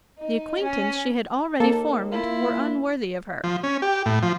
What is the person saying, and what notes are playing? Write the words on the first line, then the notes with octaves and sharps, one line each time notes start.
The acquaintance she had already formed were unworthy of her.
D#4
C#4
D#2 A#3 A4
E4 F4
F3
C#4
G4
A2
F3